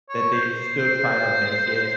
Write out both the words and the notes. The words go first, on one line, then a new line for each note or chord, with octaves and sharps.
that they still try to make it,
C#5
C5
C5